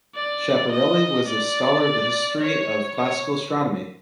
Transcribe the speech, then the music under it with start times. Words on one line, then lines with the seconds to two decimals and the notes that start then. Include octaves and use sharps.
Schiaparelli was a scholar of the history of classical astronomy.
0.15 D5
0.71 D#5
1.27 D5
2.40 C#5
2.96 C#5